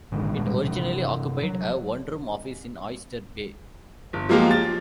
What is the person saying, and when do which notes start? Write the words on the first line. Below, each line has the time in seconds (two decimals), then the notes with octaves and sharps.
It originally occupied a one-room office in Oyster Bay.
0.12 A#1 G#2 D3 D#3
0.35 A#2 E3 G3 G#3
0.64 C3 E3
1.43 F#3
4.13 G1
4.29 F3 F#3 G#3 A#3 F4 G4
4.51 A6